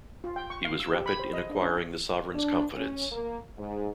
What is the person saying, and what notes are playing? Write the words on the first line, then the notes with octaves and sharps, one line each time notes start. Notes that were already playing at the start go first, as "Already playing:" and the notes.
He was rapid in acquiring the sovereign's confidence.
F4
G5
C#6
F5
E6
G4
B5
C5
D#5
D4
C#4
D4
C#4
A#3
G#2